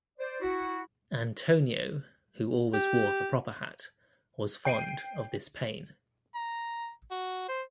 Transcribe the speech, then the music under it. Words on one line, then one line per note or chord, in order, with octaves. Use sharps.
Antonio, who always wore the proper hat, was fond of this Pane.
C5 D5
E4 F#4
G4
G5 C7 D7 D#7
A#5
F#4
C5